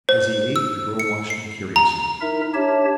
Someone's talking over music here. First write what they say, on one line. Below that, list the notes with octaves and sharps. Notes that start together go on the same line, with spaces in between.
As he ate, the girl watched him curiously.
C5
E6
C#7
C7
A#5
D#4 E4 A#4 E5
D4 G4 C#5 E5 A5